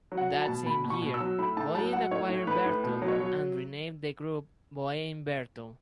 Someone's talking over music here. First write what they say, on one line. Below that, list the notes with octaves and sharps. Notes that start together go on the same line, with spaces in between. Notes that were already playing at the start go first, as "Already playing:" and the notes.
That same year Boeing acquired Vertol and renamed the group Boeing Vertol.
F#3
F#5
F#3
A5
B2
B2 B5
B2
C#6
B2
E6
F#3
A2 B5
A2 A5
F#3 A5
F#3 F#5
A2 C#5
A2
A2 B4
A2
B2
F#3
C#5
F#3